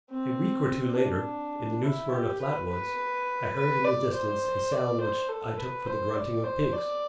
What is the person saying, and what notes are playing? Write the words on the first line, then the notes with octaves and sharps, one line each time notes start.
A week or two later, in the New Smyrna flat-woods, I heard in the distance a sound which I took for the grunting of pigs.
C4
D4
E4
G4
B4
B4
B4
D5
C5
D5
C5
A4
B4
C5
D5
C5
D5